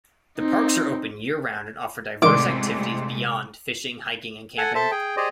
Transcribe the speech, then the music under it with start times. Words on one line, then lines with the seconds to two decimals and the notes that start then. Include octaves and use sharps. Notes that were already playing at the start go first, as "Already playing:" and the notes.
The parks are open year-round and offer diverse activities beyond fishing, hiking and camping.
0.38 C4 D#4
2.22 A1 C3 D#3 G#3 A3 D4 C6 D6
4.58 A4 F#5 G#5
4.75 A4 C5 E5 A5
4.91 G#4 G5
5.17 G4 G#4 C5 D5 D#5